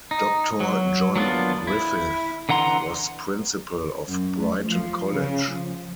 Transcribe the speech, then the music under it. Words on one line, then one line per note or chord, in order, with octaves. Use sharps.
Doctor John Griffith, was Principal of Brighton College.
D#4
F#3
F#3 A#3 B3 D4 F4
E4
D3 E3 F#5 A#5 C6
F#2
A3
F3
C#3
F3